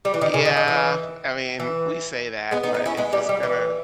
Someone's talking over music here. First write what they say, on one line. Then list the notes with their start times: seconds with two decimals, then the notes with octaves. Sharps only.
Yeah. I mean, we say that, but it's just gonna
0.05 G3
0.14 E3
0.21 D#3
0.34 C#3
0.45 D#3
0.57 D#3
0.68 E3
1.60 E3
2.51 G#3 B3
2.63 B3 D#4
2.74 B3 D#4
2.86 C#4 E4
2.97 G#3 B3
3.13 G3 A#3
3.29 G3
3.43 E3